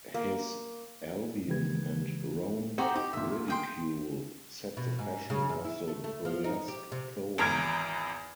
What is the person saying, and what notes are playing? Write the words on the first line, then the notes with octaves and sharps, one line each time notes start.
His "Albion" and "Rome ridicule" set the fashion of the burlesque poem.
A#3
C#3 E3 G#3 G4 B4 G#6
C4 D#4 F#4 G4 A4
D#4 G4
D2 A#2 E5
G#4 G5 C6
B2
G#2
C#3
F#2
E4
A3
A3
F3
D#4
G4
C3
G#1 E2 A#5 F6 G#6 D7